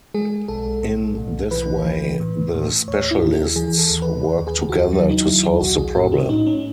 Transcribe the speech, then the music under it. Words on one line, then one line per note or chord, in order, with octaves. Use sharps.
In this way, the specialists work together to solve the problem.
G#3 G#4
B1 A4
A2
B1
E3 B4
E3
A2
A2
D#2 C#5
E4
D#2
G#4
E3 G#4
A4
D#2
B4
D#2 B4
G#4
D#2
F#4
F#3
D#4
D#2 E4
E4
B1 F#4
G#4
A2 F#4
C#4
A2 D#4
C#4